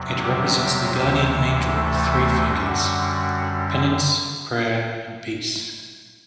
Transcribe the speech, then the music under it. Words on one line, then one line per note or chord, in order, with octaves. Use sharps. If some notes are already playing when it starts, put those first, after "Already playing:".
It represents the Guardian Angel with three figures: Penance, Prayer and Peace.
Already playing: E2 C3 F#3
G3 G4
D2 C3 E3
A3 A4
A3 A4
F#2 D3 G3 F#4